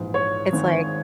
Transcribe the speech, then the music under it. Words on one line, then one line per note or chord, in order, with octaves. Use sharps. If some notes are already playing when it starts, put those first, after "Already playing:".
It's like
Already playing: A#1 G#2 E3
C#5
G#1 G#2 D#3